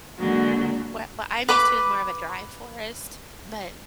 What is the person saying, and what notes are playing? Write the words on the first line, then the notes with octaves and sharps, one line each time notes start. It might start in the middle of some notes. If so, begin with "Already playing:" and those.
what what I'm used to is more of a dry forest, but
D3 F#3 G#3 A#3
B4 B5 D6